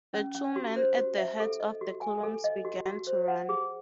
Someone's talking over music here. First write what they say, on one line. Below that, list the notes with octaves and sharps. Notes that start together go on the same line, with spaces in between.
The two men at the heads of the columns begin to run.
C#4
C#4
F#4
C5
F#4
E5
A4
D#5
F#4
G#5
A4
D#5
F#4
F#4
C5
F#5
G#4